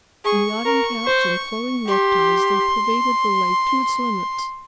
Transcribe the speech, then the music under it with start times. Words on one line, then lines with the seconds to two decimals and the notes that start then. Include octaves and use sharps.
In yachting caps and flowing neckties they pervaded the lake to its limits.
0.25 G#4 C#6
0.66 A#4
1.06 C5
1.87 G4 C6